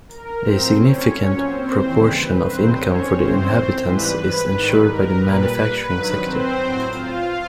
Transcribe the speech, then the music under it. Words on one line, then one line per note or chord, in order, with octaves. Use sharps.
A significant proportion of income for the inhabitants is ensured by the manufacturing sector.
A#4
A2 F3 C4 C5
C#4 C#5
A#2 F#3 C#4 C#5
C4 C5
D#2 C#3 E3 G3
B4
G2 D#3 F#3 C4 C5
C#4 C#5
F#2 C#3 E3 C4 C5
G#2 E3 G3 B4
G#2 D#3 G3
A#4
A#2 G3 B4
G2 D#3 F#3 B4
C4 C5
A2 F#3
F4 F5